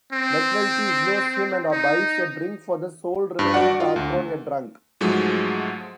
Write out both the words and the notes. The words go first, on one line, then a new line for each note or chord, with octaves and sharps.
McNulty ignores him and buys a drink for the sole remaining patron, a drunk.
C4
D#4
G2
F#4 D5 F#5
F4
D2
G#2 F3 F#3 G#3 A3